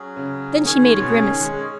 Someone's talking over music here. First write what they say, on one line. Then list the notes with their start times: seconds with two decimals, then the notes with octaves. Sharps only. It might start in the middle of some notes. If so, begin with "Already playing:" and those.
Then she made a grimace.
Already playing: F#3 C#4 G#4
0.16 C#3
0.66 D#3 C#4 G#4 C#5
0.83 G#2
0.99 B2
1.15 C#3
1.27 D#3
1.40 G#3
1.53 G#3
1.64 C#5